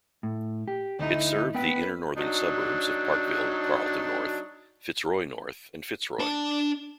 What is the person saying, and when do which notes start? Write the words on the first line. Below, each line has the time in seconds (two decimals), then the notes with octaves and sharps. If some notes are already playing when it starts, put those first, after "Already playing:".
It served the inner-northern suburbs of Parkville, Carlton North, Fitzroy North, and Fitzroy.
0.23 A2
0.68 G4
0.99 D2 D#4 E4
1.54 B3 B4 F#5 G5
2.17 F#3 D4 D#4
6.19 D4 A5